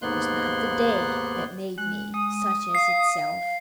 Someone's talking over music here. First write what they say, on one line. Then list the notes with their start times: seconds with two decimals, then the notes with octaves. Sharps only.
It was not the day that made me such as itself.
0.02 D#2 G#2 A#3 B3 C6 F#6
1.78 G#3 F#6
2.14 G#3 D#6
2.75 F5 C7